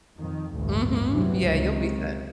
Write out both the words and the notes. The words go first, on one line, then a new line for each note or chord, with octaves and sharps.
Mhm. Yeah, you'll be set.
F2 D#3
A1 D2 G2
C3 E3 F#3 G3
C#2 C3 D#3